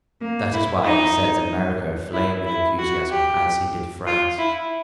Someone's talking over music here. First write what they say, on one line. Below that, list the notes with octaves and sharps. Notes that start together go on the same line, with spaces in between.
That is why he sets America aflame with enthusiasm, as he did France.
A#3
E4
D#4
E4
E4
F#4
G4
F4
E4